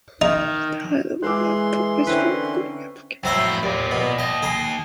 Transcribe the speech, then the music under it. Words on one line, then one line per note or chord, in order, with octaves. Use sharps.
The high level output is for recording applications.
D#3 D#4
E3 G#3 C6 D6 E6 F#6
D3 C4 C#4 E4 A#4 B4
F2 A2 F#3 C5 E5
D#2 F4 D5
B2
D#2 D#5
G#4 A#5 C6